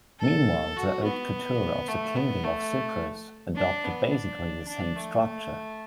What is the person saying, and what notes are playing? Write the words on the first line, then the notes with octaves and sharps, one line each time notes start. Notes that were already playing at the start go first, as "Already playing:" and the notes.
Meanwhile, the "Haute Cour" of the Kingdom of Cyprus adopted basically the same structure.
A4
F#4
B3
A3
B3
A3
D4
B3
D4
D4
A3